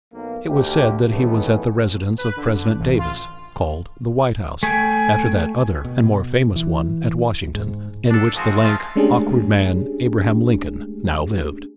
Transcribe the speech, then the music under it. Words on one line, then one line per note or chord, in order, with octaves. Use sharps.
It was said that he was at the residence of President Davis, called the White House, after that other and more famous one at Washington, in which the lank, awkward man, Abraham Lincoln, now lived.
B1 A#3
D2 G4
D#3 E3 G#3 A3 B3 C#4
B4
D3
A1
F4
A3 G5 G#5
B2
E3
G#2
D4 A4
D#3 F3 G#3 C4 F#4
F3 G#3 A3 F4
G#3 A3 C#4 D4 G4 G#4